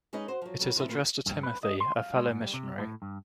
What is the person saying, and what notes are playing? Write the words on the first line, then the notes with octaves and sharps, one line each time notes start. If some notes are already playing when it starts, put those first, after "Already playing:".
It is addressed to Timothy, a fellow missionary.
G#3 C#4 D#4 G#4 B4 D#5
F#4 C5
F3 F#3
C#3 F#3
D#3 F3 G#3 C4 E4
A#2 E3 G3 A#3 F4 F#4
G2
B4
D#5
C6
F5
G#3
G#2
G3
C3
A2
G2